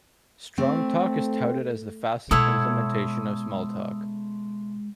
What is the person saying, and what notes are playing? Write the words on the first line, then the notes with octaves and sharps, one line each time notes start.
Strongtalk is touted as the fastest implementation of Smalltalk.
A3 C4
B2 G#3 E4 A4 C#5 F#5 D#6 E6